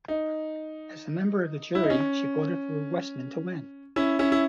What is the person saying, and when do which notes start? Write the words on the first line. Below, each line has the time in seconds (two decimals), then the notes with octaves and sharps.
As a member of the jury, she voted for Westman to win.
0.08 D#4
1.75 E4
1.83 D#4
1.90 C#4
3.96 C#4 E4
4.19 C#4 E4
4.32 E4